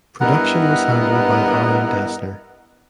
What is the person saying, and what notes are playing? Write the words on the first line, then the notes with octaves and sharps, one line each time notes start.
Production was handled by Aaron Dessner.
G2 B3 E4 A#4 D#5 F#5